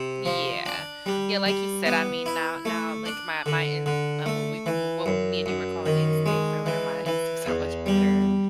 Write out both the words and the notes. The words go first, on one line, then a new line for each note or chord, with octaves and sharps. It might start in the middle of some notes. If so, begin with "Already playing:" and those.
Yeah. Yeah, like you said, I mean, now now, like, my my in now what we w were what me and you were calling instincts earlier, my instincts are much better
Already playing: C3
F3
D4
G3
G3
B3
E4
A3
D4
D3
D3
A3
E3
F#2
F#2
D#3
G#3
E3
E3
E2
G3